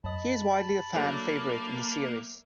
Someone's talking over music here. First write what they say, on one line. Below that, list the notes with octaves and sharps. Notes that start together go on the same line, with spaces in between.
He is widely a fan favorite in the series.
F#2 D#5 A5 B5
F#3 A3 A#3 D4